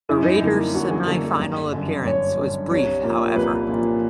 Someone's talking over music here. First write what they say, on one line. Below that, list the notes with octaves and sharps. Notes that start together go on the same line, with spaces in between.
The Raiders semi-final appearance was brief, however.
F#2 E4
D#4
E4
D3 G3 A#3
F#2 F#4
G#4
D3 G3 A#3 A4
G1
F#2 D3 G3
G1 C#5
F#2 D3 G3
C2 C#5
A#2 F3 A#3
C2 B4
A#2 F3 A#3